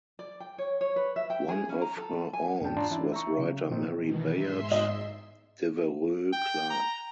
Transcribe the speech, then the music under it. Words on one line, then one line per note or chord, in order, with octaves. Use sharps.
One of her aunts was writer Mary Bayard Devereux Clarke.
D5
G5
C#5
C#5
B4
E5
G5
G#4
C#4
A#5
A4
G#5
E2 G#2 C#4 D4 G5 A5
D4 F4 A5 A#5 C6
E3 C#4 D4 E4
E5 A#5 C#6
C#3 F#3
A#2 F3 C4 D#4
B2 D#3 E3
G#2 E5 C6
D#5
G5
A#5